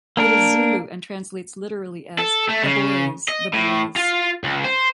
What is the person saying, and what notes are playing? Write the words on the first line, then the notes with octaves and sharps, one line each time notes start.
It is Zulu and translates literally as "the boys, the boys".
A#3 D4 A#4
A4
A3
C#3
D#5
A2
F4
C#2
C5